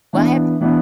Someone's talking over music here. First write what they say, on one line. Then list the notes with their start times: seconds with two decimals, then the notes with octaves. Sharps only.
Well, have y
0.13 E3 B3 D4
0.61 E3 B3 D4